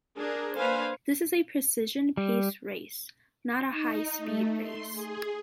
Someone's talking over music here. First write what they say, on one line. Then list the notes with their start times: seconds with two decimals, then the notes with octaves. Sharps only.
This is a precision pace race, not a high speed race.
0.16 D4 G#4 A#4
0.57 A#3 D4 B4 C5 F5 G#5
2.17 G3
3.70 D#4
4.17 A3
4.61 C6
4.92 G#4